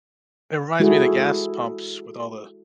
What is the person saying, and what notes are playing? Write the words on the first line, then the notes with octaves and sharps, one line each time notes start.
it reminds me of the gas pumps, with all the
G#3 E4 F#4 G#4 A4